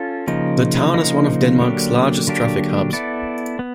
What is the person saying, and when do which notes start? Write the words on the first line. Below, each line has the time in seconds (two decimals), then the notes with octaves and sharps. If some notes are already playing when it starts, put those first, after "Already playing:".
The town is one of Denmark's largest traffic hubs.
Already playing: C#4 F4 A4
0.27 C#3 F3 A#3 D#4
0.94 C#3 F3 A#3 D#4
1.60 D3 F#3 A#3 D4 G4
2.27 D3 F#3 A#3 D4 G4
2.93 B3 E4 A4 D5
3.59 B3